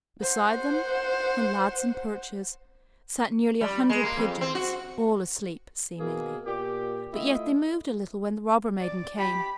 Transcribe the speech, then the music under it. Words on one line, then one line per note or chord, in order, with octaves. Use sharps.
Beside them, on laths and perches, sat nearly a hundred pigeons, all asleep, seemingly; but yet they moved a little when the robber maiden came.
C5 F#5
G3
G#3
A#3
F2
C4
F#4
B2 A#3 G#4
A#2 G4
A3 E4 F4 D#5
D5
G4 B5